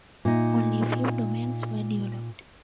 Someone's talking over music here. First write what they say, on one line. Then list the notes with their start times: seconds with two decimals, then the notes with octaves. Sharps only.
Only a few domains were developed.
0.25 A#2 D#4